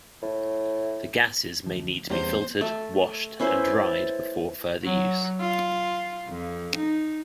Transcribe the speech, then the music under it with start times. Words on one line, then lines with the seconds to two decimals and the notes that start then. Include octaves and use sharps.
The gases may need to be filtered, washed and dried before further use.
0.22 A2
1.66 D2 F3
2.10 E2 E3 G3 A#3 C#4 C5
2.61 A3
3.40 C#4 E4 B4 C5
3.67 D5
4.84 F#3
5.40 F4
6.28 F2
6.76 D#4